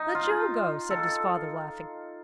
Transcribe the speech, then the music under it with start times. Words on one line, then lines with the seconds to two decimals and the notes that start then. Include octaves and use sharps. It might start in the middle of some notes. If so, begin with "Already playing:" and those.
"Let Joe go," said-his father, laughing.
Already playing: D#4
0.15 F4
0.90 A4